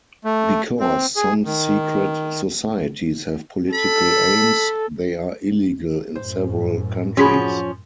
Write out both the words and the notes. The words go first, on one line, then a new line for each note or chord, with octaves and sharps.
Because some secret societies have political aims, they are illegal in several countries.
A3
C4
G#4
D#3
A4 B5
F#2 A2 C5
F3 C#4 F#4 G#4 B5